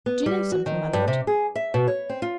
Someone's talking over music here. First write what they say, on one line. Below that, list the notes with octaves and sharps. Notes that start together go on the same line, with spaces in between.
"Do you know something, my Lord?"
B3
G3
F#4
D#3
G2
C3
G#4
E5
B2
C#5
C4
F4